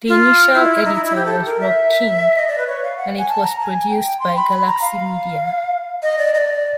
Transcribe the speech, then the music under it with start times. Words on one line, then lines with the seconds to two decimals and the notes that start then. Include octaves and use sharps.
The initial editor was Rob King and it was produced by Galaxy Media.
0.08 F4
0.54 E4
0.85 D#4
0.94 E4
1.05 E4
1.15 G4
1.26 A4
1.46 A#4
1.60 E5
2.36 D#5
2.48 D5
2.58 B4
2.67 C#5
2.83 F5
2.97 F#5
3.19 G#5
3.29 A5
3.43 A#5
3.59 A5
3.64 G#5
3.89 G5
4.04 G5
4.19 C6
4.36 B5
4.50 B5
4.66 A#5
4.81 F5
6.02 D#5
6.18 D5
6.34 D#5
6.38 D5